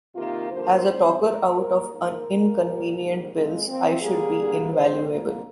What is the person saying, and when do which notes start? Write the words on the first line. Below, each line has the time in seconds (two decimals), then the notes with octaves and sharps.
As a talker-out of inconvenient bills I should be invaluable.
0.15 C3 D#3 A#3 F4
0.50 G2 D3 F3 A#3 C5
0.86 G#2 G3 C4
1.20 A#2 F3 A#3 A#4
1.55 A#2 G3 A#3 A#4
1.91 G#2 F3 A#3 A#4
2.26 A#2 F3 A#3
2.61 A#2 G3 A#3
2.96 G#2 G3 A#3
3.31 A#2 F3 G#3 C4
3.66 A#2 F3 C4
4.01 F2 D3 G3 A#3 G#4
4.36 G2 D3 G3 A#3
4.71 F2 D#3 G#3 C4 C5
5.07 F2 D3 G3 A#3